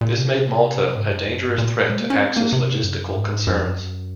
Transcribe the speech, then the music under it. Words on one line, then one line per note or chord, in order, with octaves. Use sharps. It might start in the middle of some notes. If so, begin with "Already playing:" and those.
This made Malta a dangerous threat to Axis logistical concerns.
A#2
C3
G#2
F#2
F2
F#2
G#2
A#2
G#3
A#3
C#4
C4
A#3
C3
F#2
G#2
F#2
F2
F#2